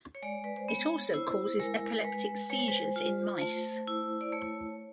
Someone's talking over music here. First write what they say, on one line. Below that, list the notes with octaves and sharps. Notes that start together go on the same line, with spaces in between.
It also causes epileptic seizures in mice.
C#5
G#3 D5
B4
C5
B3 C#5
E4 C5
G#3 A#4
G#3 B4
G#3 C#5
C5
B4
C5
F4
A3
E4
D5
A3 C#5